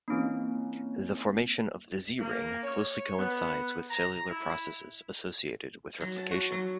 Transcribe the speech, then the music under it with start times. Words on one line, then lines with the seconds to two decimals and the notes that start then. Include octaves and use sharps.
The formation of the Z-ring closely coincides with cellular processes associated with replication.
0.08 E3 A#3 C4 C#4 D#4
2.18 A#3
2.62 C#5
3.18 B3
3.89 A#5
4.29 E4
6.00 F#3
6.18 A5
6.31 F#4
6.52 F#3